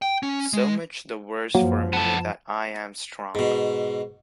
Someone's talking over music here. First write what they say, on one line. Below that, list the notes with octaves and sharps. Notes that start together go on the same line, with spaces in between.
So much the worse for me that I am strong.
G5
C#4
G#3
F#2 F3 F#3 A#3
B3 A4 A5
G#2 B2